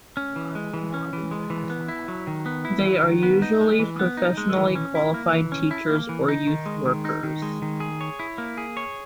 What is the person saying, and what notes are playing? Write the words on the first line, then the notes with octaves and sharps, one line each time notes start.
They are usually professionally qualified teachers or youth workers.
C#4
E3
G#3
E3
C#4
E3
G#3
E3
B3
E4
F#3
D#3
B3
E4
F#3
D#3
B3
D#4
G#3
E3
B3
D#4
G#3
E3
C#4
E4
A#3
E3
C#4
E4
A#3
E3
D#4
D#3
G#3
D#3
D#4
D#3
G#3
D#3
G#4
C#5
E4
A#3
G#4
C#5